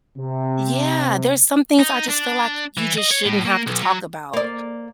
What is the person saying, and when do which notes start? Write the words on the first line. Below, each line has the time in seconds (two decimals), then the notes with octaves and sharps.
Yeah, there's some things I just feel, like, you just shouldn't have to talk about,
0.18 C3
1.79 D#4
2.09 D4
2.77 E3
2.97 D#5
3.11 C#5
3.26 A2
3.46 A#3
3.67 B1
3.82 F#3
4.33 A#3 D5